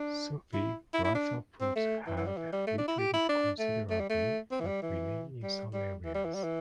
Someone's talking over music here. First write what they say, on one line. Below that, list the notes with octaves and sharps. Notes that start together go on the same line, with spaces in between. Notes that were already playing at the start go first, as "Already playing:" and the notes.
Sufi brotherhoods have retreated considerably, but remain in some areas.
Already playing: D4
E4
E4
E4
D4
C4
A3
E3
E3
G3
E3
G3
A3
D4
E4
G4
E4
D4
A3
A3
G3
A3
C4
E3
G3
E3
G3
G3
E3
G3
E3
G3
E3